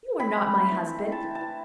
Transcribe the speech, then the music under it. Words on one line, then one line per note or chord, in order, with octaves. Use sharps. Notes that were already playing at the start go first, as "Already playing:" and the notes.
'You are not my husband!'
C4 B5
C4
A3
E3
A3
E3
A5
E3
A5
E3